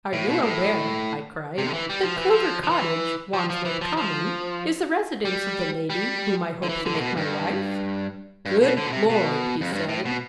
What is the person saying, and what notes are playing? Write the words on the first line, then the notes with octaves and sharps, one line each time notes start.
'Are you aware?' I cried, 'that Clover Cottage, Wandsworth Common, is the residence of the lady whom I hope to make my wife?' 'Good Lord!' he said.
A2
B2
A2
C3
D3
E3
G3
F3
E3
F3
F3
E3
F3
F3
E3
F3
F3
G3
G3
D3
E3
D3
A2
B2
G2
G2
B2
D3
B2
C3
B2
F2
G2
A2
B2